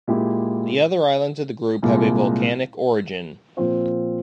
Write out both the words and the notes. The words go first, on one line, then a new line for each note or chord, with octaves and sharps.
The other islands of the group have a volcanic origin.
A#2 G#3 E4 G4
C2 A#2 G#3
A#2 F3 C4 F4 C5